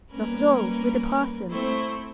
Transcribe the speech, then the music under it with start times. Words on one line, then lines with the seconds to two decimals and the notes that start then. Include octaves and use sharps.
"Not at all; with a parson."
0.10 G3 A#3 C#4 A#4 B4
1.48 A3 C4 E4 C5 C#6